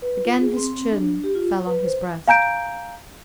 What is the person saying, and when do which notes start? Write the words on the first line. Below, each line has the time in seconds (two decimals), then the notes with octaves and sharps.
Again his chin fell on his breast.
0.02 B4
0.25 F4
0.41 G#4
0.57 C4
0.92 D4
1.24 G4
1.35 F4
1.67 B4
1.84 C5
2.28 F5 G#5 A#5 G6 D7